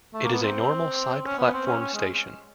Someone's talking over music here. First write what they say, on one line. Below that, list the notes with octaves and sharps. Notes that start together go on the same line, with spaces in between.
It is a normal side platform station.
A3
A#3
B3
C4
C#4
B3
C4
C#4
C#4
G#3